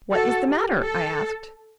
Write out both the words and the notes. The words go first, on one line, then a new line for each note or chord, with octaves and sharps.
"What is the matter?" I asked.
F#4 A4
G4
A4